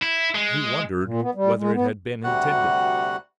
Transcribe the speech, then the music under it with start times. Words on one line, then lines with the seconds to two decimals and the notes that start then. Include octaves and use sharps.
He wondered whether it had been intended.
0.03 E4
0.35 G#3
1.03 A#2
1.22 B3
1.35 G3
1.58 G#3
1.73 B3
2.24 D2 C3 G3 F#4 F#5 F#6